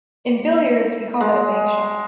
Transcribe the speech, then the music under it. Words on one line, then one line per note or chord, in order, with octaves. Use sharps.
In billiards, we call that a bank shot.
G#3